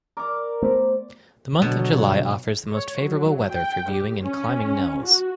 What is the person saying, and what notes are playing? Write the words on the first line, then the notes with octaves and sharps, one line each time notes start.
The month of July offers the most favorable weather for viewing and climbing Nelles.
A#4 D5 D6
A3 B3 C5
B2 D3 F#3
C#5
F#3
G5
G4
C#4
F#4